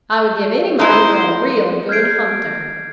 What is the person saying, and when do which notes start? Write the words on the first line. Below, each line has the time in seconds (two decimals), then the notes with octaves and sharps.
I would give any money for a real good hunter.
0.79 D#4 E4 C5
1.89 F6 G6 G#6 C7 D7